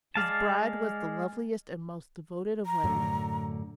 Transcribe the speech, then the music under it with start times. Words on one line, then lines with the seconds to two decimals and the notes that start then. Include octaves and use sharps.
His bride was the loveliest and most devoted of women.
0.15 G#3 D5 F5 A5
2.65 A#5
2.84 F#2 A2 D3